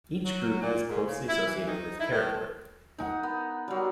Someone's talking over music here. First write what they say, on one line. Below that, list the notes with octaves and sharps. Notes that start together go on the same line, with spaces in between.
Each group is closely associated with its territory.
F#3
A#2
G#2
C#3
E4
E3
D#4
E4
A2
D#4 F#5
B3
F#3 G3